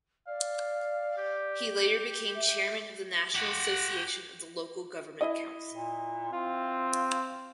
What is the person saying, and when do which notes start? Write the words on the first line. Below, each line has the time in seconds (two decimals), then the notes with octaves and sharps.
He later became chairman of the National Association of the Local Government Council.
0.27 D5 F5
1.17 G4
2.35 E5
3.35 G4 F#5
5.21 E4 D#5
5.74 A#2
6.32 C4 F4